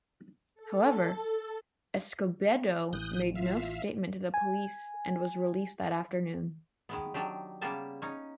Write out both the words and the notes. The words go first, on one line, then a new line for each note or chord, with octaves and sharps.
However, Escobedo made no statement to the police and was released that afternoon.
A4
A1 E3 D#6 F#6 G6
F4 E5 F5
G#5
D#3 G#3 B3
D#3 F#3 D4 G4
C#3 G3 A#3 B3 G4 A5
C#4 D#4